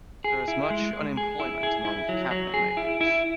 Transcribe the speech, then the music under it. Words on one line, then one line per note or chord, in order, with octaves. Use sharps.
There is much unemployment among cabinetmakers.
G#4
E4
G#3
G#3
G#4
E4
G#4
E4
F#3
F#3
G#4
E4
E4